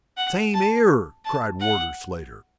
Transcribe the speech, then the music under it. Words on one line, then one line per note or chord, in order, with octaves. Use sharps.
"Same 'ere!" cried Warder Slater.
F#5
A5
A5
F#5